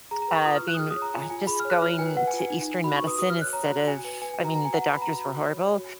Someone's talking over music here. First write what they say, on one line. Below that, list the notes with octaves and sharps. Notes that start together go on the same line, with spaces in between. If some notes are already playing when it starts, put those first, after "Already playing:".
uh, being uh, just going to Eastern medicine instead of I mean, the doctors were horrible,
G#4 A#5
A#5
B4
C#6
F4 D#6
F6
F4
F#6
D#6
G#4 F6
D#6
C#5
A#5
F4 G#5
F4 G#5
G#4 B5
C#5 F6
F#6
F4 F6
B4 G#5
B4 F#5
G#5
F4
G#5
D#4
D#4
F#4 B5
C#6
B4 D#6
F#4 D#6
F6
C#5
F#6
C#5 A#5
F#4
F#4 G#5
B4 G#5
B4 G#5
G#5
F#4
A#5
F#4 A#5
G#5
B4 F#5
A#5
B4 B5
F#4 A#5
B5
F#4
C#5
C#5
F#4